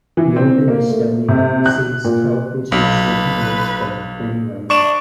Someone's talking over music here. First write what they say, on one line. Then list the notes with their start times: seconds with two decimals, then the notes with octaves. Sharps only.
Northern Estonia receives television signals from Finland.
0.17 E3
0.36 C4
0.68 A#3
0.90 A3
1.28 C3
1.66 F#6
2.05 A#2
2.72 B1 B4
4.70 D4 C#6 E7